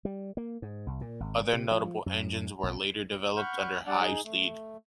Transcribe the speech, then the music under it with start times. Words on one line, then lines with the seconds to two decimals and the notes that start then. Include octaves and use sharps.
Other notable engines were later developed under Hives' lead.
0.05 G3
0.37 A#3
0.62 G#2
0.87 C2
1.01 A#2
1.20 G#1
1.53 C3
1.71 F3
2.06 F#2
2.63 B1
3.37 F#5 B5 C#6 F6 G6
3.87 G3 D4 D5 F#5
4.01 D#4 G#4
4.24 A3